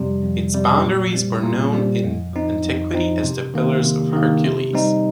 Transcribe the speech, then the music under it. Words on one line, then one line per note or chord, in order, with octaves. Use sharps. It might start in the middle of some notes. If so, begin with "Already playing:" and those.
Its boundaries were known in antiquity as the Pillars of Hercules.
Already playing: F2 C3 G3
F2
C3 G3
A#2
G3 C4
A#2
G3 C4
F2
F3 C4 D#4
F2
F3 C4 D#4
C3
D#3 A#3
C3
D#3 A#3
C3
G3 C4 D#4